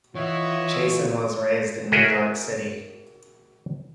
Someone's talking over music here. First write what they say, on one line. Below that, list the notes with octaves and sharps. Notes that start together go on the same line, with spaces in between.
Chasin was raised in New York City.
E3 F4 C#5 D#5 E5 F#5
F#4 G#4 A#4 D#5 E5